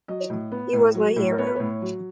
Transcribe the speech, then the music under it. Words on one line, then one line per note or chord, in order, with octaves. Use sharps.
He was my hero.
F#3 D#5
A2
B3
A2
F#3
A2
B3 C#5
B4
A2 C#5
F#3